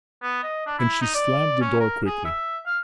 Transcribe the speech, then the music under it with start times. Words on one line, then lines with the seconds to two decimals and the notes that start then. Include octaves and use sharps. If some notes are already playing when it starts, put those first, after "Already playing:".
And she slammed the door quickly.
0.22 B3
0.43 D#5
0.66 D4
0.79 E4
1.02 D#4
1.15 D5
1.61 C#4
1.80 A#4
2.06 G#4
2.25 E5
2.66 F5